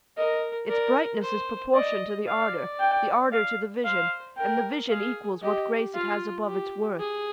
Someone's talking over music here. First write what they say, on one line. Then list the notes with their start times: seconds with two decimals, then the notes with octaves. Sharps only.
Its brightness is proportioned to the ardour, The ardour to the vision; and the vision Equals what grace it has above its worth.
0.17 A#4 D#5
0.69 A#4 D5
1.22 C5
1.74 D5 D#5
2.27 D5 F5
2.79 G5
3.32 F5
3.84 C5 F5
4.37 A#4 G5
4.89 G#4 F5
5.42 G4 D#5
5.94 F4 F5
6.47 G4
6.99 G#4